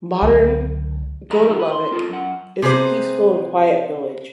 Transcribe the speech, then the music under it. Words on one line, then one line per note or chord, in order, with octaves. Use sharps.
Modern Gotalovec is a peaceful and quite village.
C#2 D3 F#3
F2 E3 A4 D#5 A#5 B5
F2 A#2 D3 D#3 F#4
B4
C6
C4 F4 A4 A#4
F#2 F#5
C3 G#4 B4 C5